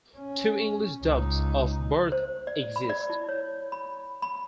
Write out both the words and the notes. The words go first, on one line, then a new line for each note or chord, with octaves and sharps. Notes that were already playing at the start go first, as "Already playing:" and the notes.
Two English dubs of "Birth" exist.
C#4
C#2 D#4
C5
D5
B5
D5
E4
C#5
B5
B5